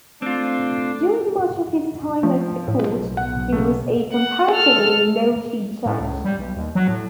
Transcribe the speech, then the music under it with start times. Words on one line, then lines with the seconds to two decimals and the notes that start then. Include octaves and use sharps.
During much of his time of the Court, he was a comparatively low-key judge.
0.22 A3 C4 D4 F4
2.23 F3 A3
2.68 B1 A2
3.17 F#5
3.52 C#3 A3
4.13 F#5
4.51 A4 F6
5.86 A2
6.01 C#2
6.25 G3
6.39 B1
6.56 D#2
6.75 F#3
6.88 A2